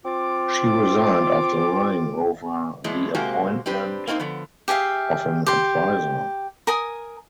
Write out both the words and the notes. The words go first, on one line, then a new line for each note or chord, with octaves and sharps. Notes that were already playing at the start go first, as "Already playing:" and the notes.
She resigned after lying over the appointment of an advisor.
C4 F4 D6
G2 B2 E3 F#3 G#3
C3 G#3 A#3 C4 F#4 G4
C4 D4 G4 B4
A#3 C4 D#4 F#4 C5
D3 F3 B3
G4 G#4 E5 F5
G4 C6
A#4 G#5 D#6